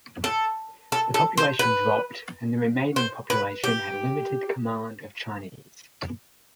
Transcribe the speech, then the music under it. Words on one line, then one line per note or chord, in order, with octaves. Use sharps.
The population dropped and the remaining population had limited command of Chinese.
A4
A4
A4
C5
B4
C5
B4
G4